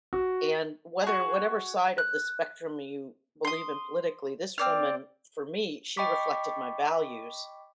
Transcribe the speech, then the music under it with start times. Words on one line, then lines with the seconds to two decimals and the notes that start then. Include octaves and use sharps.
And whether whatever side of the spectrum you believe in politically, this woman for me, she reflected my values.
0.13 F#4
1.03 F#4 G#4
1.98 F#6
3.45 C6 D#6
4.58 C4 D5 F6
5.97 D#5 G5 B5 C#6 D6 B6